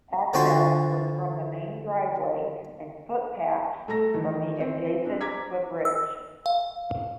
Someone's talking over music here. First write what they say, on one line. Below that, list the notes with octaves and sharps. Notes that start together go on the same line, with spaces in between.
Access was from the main driveway and footpaths from the adjacent footbridge.
D3 F3 F#4 D5 G5 C6
A3 A4 A#5 A#6
D#3 E3
C4
C4 D4
A#5 D6 G#6 B6
E6
F5